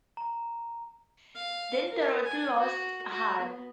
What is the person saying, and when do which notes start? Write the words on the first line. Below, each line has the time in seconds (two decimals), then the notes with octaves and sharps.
Then Dorothy lost heart.
0.17 A#5
1.35 F5
1.91 A#4
2.25 G#5
2.59 F#4
3.11 F#4
3.42 B3